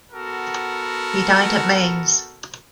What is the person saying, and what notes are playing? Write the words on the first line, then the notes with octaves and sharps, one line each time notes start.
He died at Mainz.
B3 F#4 A4 A#4